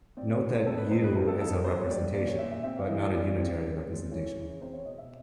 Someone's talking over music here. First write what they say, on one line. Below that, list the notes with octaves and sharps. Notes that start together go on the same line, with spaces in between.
Note that "u" is a representation, but not a unitary representation.
C4 D5
C#5
G#3
C5
F2 A4
B4
F2 C5
B4
F2 A#4
A4
F2 A4
A#4
B3 C5
C#5
G3 D5
A#2 D5
C#5
A#2 E5
E5
C4 E5
F5
E3 D#5
D5
G3
C4
C#3
G#3
E3 C#5
C#3
C4 C5
C#5
B2 D#5
E5